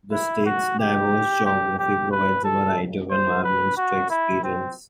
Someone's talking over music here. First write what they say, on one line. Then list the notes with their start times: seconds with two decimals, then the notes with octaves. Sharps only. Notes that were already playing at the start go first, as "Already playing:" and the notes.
The state's diverse geography provides a variety of environments to experience.
0.12 E4
0.46 F#4
0.80 G4
1.46 G4
1.79 G4
2.12 B4
2.44 A4
3.11 C5
3.44 B4
3.77 F#4
4.10 E4
4.44 C4